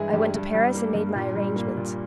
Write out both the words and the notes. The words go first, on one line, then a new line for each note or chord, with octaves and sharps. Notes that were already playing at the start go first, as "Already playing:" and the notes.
I went to Paris and made my arrangements.
Already playing: G2 E3 G#3 E4 G#4
G2 G4
G2
G3
A#3
G2
A#2
G3
A#3
A#2